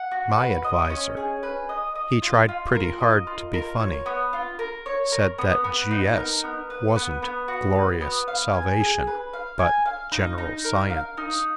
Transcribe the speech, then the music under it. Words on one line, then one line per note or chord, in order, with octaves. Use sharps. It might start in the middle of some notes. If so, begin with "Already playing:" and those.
My adviser--he tried pretty hard to be funny--said that G.S. wasn't glorious salvation but general science.
Already playing: F#5
F#4
B4
D#5
C#4
G#4
B4
D#5
D#5
F4
F4
A#4
D#5
F4
A#4
C#5
B3
F4
A#4
C#5
A#4
B3
B3
D#4
A#4
B3
B4
B3
B3
F#4
B4
B3
F5
G#5
G#4
B4
F5
G#5
F5
D#4
D#4
A#4
F5
D#4